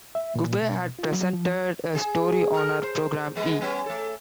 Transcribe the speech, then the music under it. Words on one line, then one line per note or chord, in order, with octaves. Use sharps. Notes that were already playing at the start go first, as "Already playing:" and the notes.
Gubbay had presented a story on her program E!
E5
A#2
B2
F4
F#3
F3
G#4
A4 A#4
C5
G3 G#3 B3
G3 B3 C#4
A3 A4